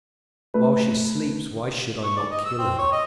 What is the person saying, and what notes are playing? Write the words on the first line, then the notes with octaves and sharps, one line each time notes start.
While she sleeps why should I not kill her?
A3 B4
C#6
D5
D#5
E6
C4
C#5
D#5